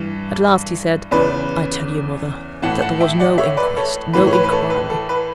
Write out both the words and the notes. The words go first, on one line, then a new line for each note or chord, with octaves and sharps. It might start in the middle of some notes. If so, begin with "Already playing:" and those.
At last he said: 'I tell you, mother, that there was no inquest--no inquiry.
Already playing: G2 E3
E2 C#3 E3 B4 D5
A2 E3 F#5 A5
F#5 A5
E5 G5
D5 F#5
C#5 E5
B4 D5
A4 C#5
A2 E3 B4
C#5
B4
B4
A4 C#5
B4
A4
B4